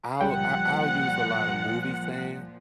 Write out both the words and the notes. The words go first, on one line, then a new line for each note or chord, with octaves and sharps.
I'll I I'll use a lot of movie sayings
C#2 A#2 F3 G3 F#5 G5